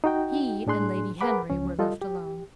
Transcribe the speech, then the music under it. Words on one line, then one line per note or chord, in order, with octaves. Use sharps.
He and Lady Henry were left alone.
D#4 F#4 G5
A2 D4 G#4 C6 F#6
G#4 A#4 B4 F#5 B5 D6
C#2 F3 C#4
G3 F4 A4 D#5
G4